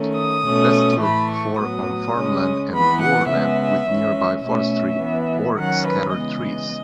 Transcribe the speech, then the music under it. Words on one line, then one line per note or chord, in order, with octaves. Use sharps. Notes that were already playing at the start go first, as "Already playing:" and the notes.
Best looked for on farmland and moorland with nearby forestry or scattered trees.
Already playing: D#3 A3 C#4
D#6
B2 A3 C#4
A2 E3 A3 B5
C#6
A2 F#3 B3 D#6
C#3 G#3 C#4
E3 B3 B5
F#5
C#3 G#3 B3 E5
E3 G#3 C#4
B2 A3 C#4 E5
E3 B3
D#3 F#3 C#4 F#5
B4
C#3 E3 G#3 B3 D#5